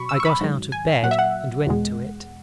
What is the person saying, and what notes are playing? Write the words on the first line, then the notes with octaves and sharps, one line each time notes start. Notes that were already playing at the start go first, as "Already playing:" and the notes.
I got out of bed and went to it.
Already playing: B2 F#3 B5 C#6
E6
C#6
B5
G#2 D#3 F#3
G#5
A#2 F#3 F#5
E5
F#5
E2 B2 G#3